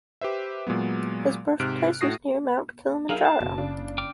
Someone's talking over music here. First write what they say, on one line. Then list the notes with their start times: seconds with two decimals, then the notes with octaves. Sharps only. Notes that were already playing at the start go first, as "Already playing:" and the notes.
His birthplace was near Mount Kilimanjaro.
0.21 G4 B4 C5 E5
0.67 A#2 F#3 G#3 B3
1.60 G#2 C3 F6 F#6 D7
2.01 A2 F#4 D#6 A#6 C7
3.09 F#3 D#4 E4 G#4 A#4 F5
3.25 A5
3.40 F#1 B2
3.58 C#3 D4
3.98 G5 D6 F6